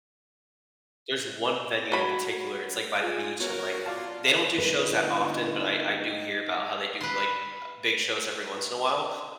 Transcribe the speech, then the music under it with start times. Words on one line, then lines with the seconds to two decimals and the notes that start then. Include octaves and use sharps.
there's one venue in particular, it's, like, by the beach, and, like, they don't do shows that often, but I I do hear about how they do, like, uh big shows every once in a while.
1.92 F#3 B5
3.01 F4 G#4 G#5
3.40 B3 F#4 A#4 C#5
3.86 F4 D5 F5 A5
4.58 G1 D#4 B4
7.01 B4 C6